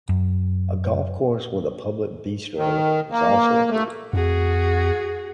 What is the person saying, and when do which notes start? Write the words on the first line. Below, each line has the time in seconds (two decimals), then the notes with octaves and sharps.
A golf course with a public bistro is also included.
0.09 F#2
2.57 D#3
3.11 A#3
3.70 A3
4.13 F2 F#4 G#4